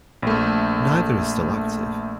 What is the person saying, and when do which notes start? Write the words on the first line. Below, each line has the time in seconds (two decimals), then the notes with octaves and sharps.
Neither is still active.
0.22 A#1 A3